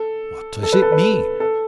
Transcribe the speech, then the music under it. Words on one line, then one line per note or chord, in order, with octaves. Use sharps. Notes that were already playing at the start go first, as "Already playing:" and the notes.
What does it mean?
Already playing: A4
A4
B4
A4
B4
A4